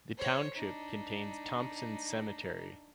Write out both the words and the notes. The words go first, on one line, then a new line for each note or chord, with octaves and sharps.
The township contains Thompson Cemetery.
C5 C#5
D4 D#4